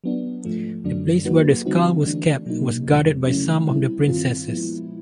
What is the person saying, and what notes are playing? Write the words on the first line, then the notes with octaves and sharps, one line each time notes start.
The place where the skull was kept was guarded by some of the princesses.
F#3 B3 D4
G#2 F3 A3
F#2 D3 F#3 A3 D4
F#3 A#3 D#4 F#4 B4
D3 G3 C4 D#4 F#4
E3 A3 D4
B2 F#3 A#3 D#4
F2 C3 F3 G#3
C#3 F#3 A3 C#4 E4
A#2 G3 C4 E4
G2 D#3 G3 C4 F4
A#2 F3 G#3 B3 E4